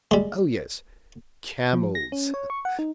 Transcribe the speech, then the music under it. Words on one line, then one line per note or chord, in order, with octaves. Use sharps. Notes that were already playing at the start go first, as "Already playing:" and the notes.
Oh yes, camels.
G3 G#3
F3
A#6
C#4
C#5
C#6
F#5
D#4